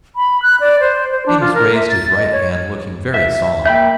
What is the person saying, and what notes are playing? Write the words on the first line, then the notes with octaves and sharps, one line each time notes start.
Amos raised his right hand looking very solemn.
B5
F#6
D5
C5
C5
D4
F4
A#4
E5
A6
D#5
C#5
E5
A#3 E5 G5 B5 G6